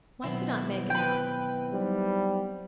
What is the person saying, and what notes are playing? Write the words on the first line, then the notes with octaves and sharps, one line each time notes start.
Mike could not make it out.
B2 D#3 F#3 B3 C4 E4
B4 G5
F#3 G3 D#4 C5